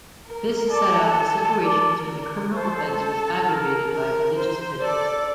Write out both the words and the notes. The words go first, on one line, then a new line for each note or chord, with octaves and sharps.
This set out the situations when a criminal offence was aggravated by religious prejudice.
A#4
A4 D5
A#4 D5
A4 C5
A#4
A#4
C5
A4 D5